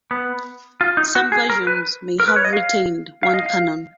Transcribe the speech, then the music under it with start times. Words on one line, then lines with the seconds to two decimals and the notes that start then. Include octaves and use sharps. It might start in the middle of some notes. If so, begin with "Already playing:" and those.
Some versions may have retained one cannon.
0.11 B3
0.81 F4
0.97 D#4
1.15 F#4
1.32 G#4
1.50 A#4
1.67 B4
2.20 A#4
2.28 B4
2.36 C#5
2.45 D#5
2.53 F5
3.23 F5
3.34 D#5
3.46 F5